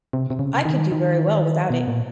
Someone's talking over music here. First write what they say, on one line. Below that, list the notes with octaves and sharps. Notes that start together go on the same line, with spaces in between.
I could do very well without it.
C3
C3
C#3
D#3
D#3
B2
A#2